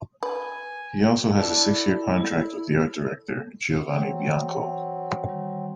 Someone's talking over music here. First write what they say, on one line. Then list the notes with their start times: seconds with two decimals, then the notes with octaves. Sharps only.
He also has a six-year contract with the art director, Giovanni Bianco.
0.23 B4 G#5
1.37 E4 A4 D5 A5
3.89 E3 F#3 C4
5.29 D#3 G3